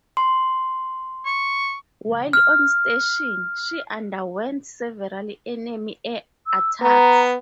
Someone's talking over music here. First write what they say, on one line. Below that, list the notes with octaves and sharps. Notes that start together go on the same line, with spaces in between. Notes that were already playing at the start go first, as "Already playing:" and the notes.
While on station, she underwent several enemy air attacks.
C6
C#6
F6
E6
B3 A#5